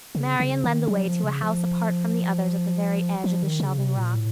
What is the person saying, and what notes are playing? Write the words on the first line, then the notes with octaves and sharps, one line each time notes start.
Marian led the way to a house apart from the others at the very edge of the shelving rock.
C#3
C#3
D#3
F#3
F3
C#3
F3
F3
D#3
C#3
C3
A#2
A2